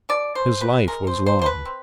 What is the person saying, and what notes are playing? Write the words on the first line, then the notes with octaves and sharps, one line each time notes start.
His life was long.
B2 D5
B2 C5
C4 B4
G#3 A#4
C5
B2
C5
B2 C5
B4
C4